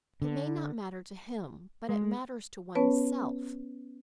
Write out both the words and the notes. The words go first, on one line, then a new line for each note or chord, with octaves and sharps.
"It may not matter to him, but it matters to one's self."
D3
G#3
B3 C#4 B4 C#5 A5